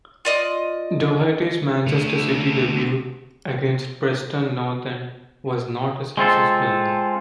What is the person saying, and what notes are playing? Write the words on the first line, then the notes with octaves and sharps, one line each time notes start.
Doherty's Manchester City debut, against Preston North End, was not a successful one.
F4 D5 D#5
D3 A3
G#3 C4 F4 A4